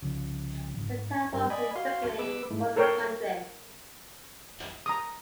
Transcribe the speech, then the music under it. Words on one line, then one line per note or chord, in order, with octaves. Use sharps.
"Centavo" means, strictly, "one-hundredth".
C2 C#3 F3
G#2
G2 A#4
D5 D#5 G#5 B5
F#4 F5 C6
B3 B4 D6 E6
G#2 A3 E4
A4 A#4 C5 C#5 G5
A#5 D#6